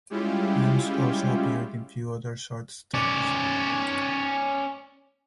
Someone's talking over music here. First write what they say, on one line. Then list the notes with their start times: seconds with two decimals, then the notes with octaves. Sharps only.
Hans also appeared in few other short stories.
0.10 G3 G#3 C#4 E4 F4 G4
2.94 C#4 D5